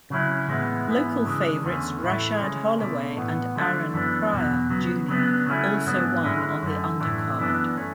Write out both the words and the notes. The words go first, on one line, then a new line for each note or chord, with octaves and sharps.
Local favorites Rashad Holloway and Aaron Pryor Junior also won on the undercard.
C#3 F#3 C#4 E4
A2 E3 G#3 B3 E4
G#2 E3 B3 E4
C#3 E3 G#3 D4
E2 D3 A3 C#4
A2 E3 A3 E4
C#3 G#3 C#4
B2 A3 D4
A2 E3 B3
D3 F#3 A3 D4
F#2 E3 B3 D4
E2 B2 F#3
C#3 F#3 B3
C#3 F#3 B3 D4
C#3 F#3 A3 C#4 E4
G#2 F#3 B3 D4
D3 G#3 C#4 E4
F#2 D3 A3
A2 E3 A3 D4
F#2 E3 B3 D4
A3 C#4